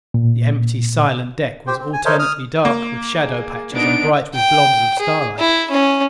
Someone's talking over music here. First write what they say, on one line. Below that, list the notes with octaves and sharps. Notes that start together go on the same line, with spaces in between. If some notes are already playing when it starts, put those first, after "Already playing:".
The empty, silent deck was alternately dark with shadow patches and bright with blobs of starlight.
A#2
G4 C5
C4
G#5
A4 A#4 C5 C#5 D#5 E5
D#6 F6
A#3
G#4
B3 D4 D#4 D7
G5
G#4
E4
C#4